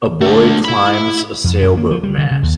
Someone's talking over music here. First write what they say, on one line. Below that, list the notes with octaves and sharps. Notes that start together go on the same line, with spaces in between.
A boy climbs a sailboat mast.
A3 D4
E4 B5
F2
F#2
A#3
F3
G3
D3
C#3
D#2